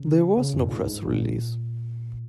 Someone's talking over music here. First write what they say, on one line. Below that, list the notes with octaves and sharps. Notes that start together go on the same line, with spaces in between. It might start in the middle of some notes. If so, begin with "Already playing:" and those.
There was no press release.
Already playing: C#3
C#3
F2
A#2
G#2
G#2
A#2